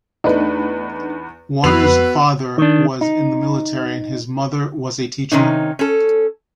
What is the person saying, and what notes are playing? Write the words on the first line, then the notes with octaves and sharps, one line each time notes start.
Water's father was in the military and his mother was a teacher.
E2 A3 D4 D#4 B4
F2 B3 F#4 B4 E6 C7 F7
D#3 D4
D#4
C3 D#3 C#4 D#4
C#4 A4